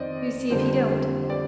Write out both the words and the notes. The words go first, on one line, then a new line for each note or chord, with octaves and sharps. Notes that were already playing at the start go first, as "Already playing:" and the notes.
You see if he don't!
Already playing: F2 D#3 C4 C5 D5 D#5
F2 D3 G3 A#3 C5
D5